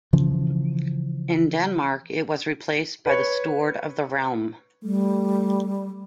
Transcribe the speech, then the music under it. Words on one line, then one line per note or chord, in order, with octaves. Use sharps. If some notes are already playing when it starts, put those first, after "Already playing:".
In Denmark it was replaced by the Steward of the Realm.
C#3 E3 F3
B4 C#5
G3 A3